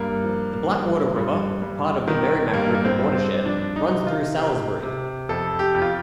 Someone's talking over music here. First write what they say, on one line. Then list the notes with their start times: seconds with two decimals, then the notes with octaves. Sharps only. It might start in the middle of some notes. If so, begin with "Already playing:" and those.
The Blackwater River, part of the Merrimack River watershed, runs through Salisbury.
Already playing: G2 A#3
0.24 F3
0.70 G2
1.16 G2
1.62 G2
2.08 D#3
2.54 G2 A#3
2.75 A#3
2.85 C4
2.99 G2
3.15 C4
3.46 F3 D4
3.76 D#4
3.91 C3
4.07 F4
4.37 C3
4.83 C3
5.29 F2 A4
5.59 G4
5.75 F2
5.82 F4